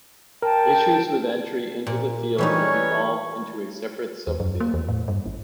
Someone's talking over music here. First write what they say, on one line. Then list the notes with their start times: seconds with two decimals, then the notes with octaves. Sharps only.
Issues with entry into the field have evolved into a separate subfield.
0.42 A#4 G5 A5
1.87 A#2
2.38 E3 G3 C#4 D#4 B4 C#5
4.27 E2
4.40 F#2
4.60 A#3
4.74 E2
4.88 A2
5.08 G2
5.26 G#1